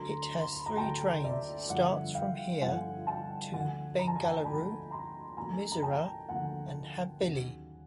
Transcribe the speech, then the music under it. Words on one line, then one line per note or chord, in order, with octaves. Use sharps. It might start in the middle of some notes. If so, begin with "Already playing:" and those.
It has three trains starts from here to Bengaluru, Mysuru and Hubballi.
Already playing: D2 D3 F#3 A#5 C6
C6
B5
A#5
D2 D3 F#3 G5 A5
D5 E5
G1 G2 D3 F3 E5 F#5
F5 G5
G1 G2 D3 F3 F#5 G#5
G5 A5
D2 D3 F3 F#5 G#5
A#5
A5
G#5
G5 A5
D2 D3 F3 A5 B5
A#5 C6
D2 D3 F3 A#3 G#5 A#5
A#5
G5 A5
D2 D3 F3 A#3 F#5 G#5
D#2 C#3 F#3